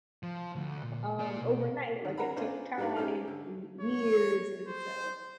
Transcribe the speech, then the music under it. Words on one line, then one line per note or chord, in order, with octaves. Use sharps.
um, overnight like it took time and years, and so
F3
D2
A#2
A#3 D5
B2
D#3
C#4 A#4 F#5 A#5 B5
B3 C#4 D4 F4 C5
G3 D4 D#4 F4 B4
C#4 D#4 G4 C5 F6
D3
C#5
C5